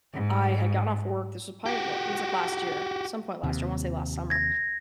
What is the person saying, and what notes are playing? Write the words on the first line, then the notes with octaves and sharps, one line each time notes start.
I had gotten off work, this was probably l it was like last year, some point last year, I wanna say last summer.
G#2
F#4 G4
D#2 C3
G#6 A#6